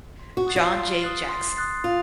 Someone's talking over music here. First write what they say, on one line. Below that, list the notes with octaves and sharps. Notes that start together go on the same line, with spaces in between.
John Jay Jackson.
C6
F#4
D#6 F#6 A6 C7
F4
C6
D#6 F#6 A6 C7
C6
D#6 F#6 A6 C7
F4 C6